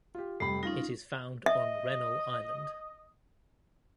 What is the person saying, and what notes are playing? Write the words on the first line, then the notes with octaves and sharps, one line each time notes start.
It is found on Rennell Island.
F4 G4
F1 G3 G4 B5
C#4 D#4 F4 A#6
D#5 E5